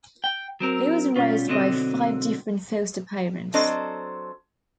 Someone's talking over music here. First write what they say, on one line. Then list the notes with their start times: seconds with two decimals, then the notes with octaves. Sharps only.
He was raised by five different foster parents.
0.24 G5
0.60 F#3 C4 A#4
1.16 B2 G3 C#4 F4
1.48 B1 D3 F#3 C4 D#5
3.54 F#3 C4 D4 A4 C5 D#5